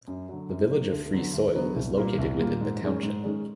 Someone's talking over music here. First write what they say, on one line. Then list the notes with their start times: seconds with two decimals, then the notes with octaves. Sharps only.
The Village of Free Soil is located within the township.
0.08 F#2
0.29 D3 F#3
0.50 F#2
0.71 D3 F#3
0.92 D2
1.13 D3 F#3 B3
1.34 D2
1.55 D3 F#3 B3
1.76 C2
1.97 A#2 G3 A#3
2.19 C2
2.39 A#2 G3 A#3
2.61 G#2
2.82 D#3 G#3 C#4
3.03 G#2
3.24 D#3 G#3 C#4